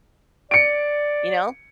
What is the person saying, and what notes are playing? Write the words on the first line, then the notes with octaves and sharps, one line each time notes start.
you know.
D5 C#7 D7